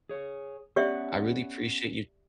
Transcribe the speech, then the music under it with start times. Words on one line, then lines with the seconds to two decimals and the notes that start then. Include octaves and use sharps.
I really appreciate you
0.09 G#4 C#5
0.76 B3 C#4 G4 D5 E5 F#5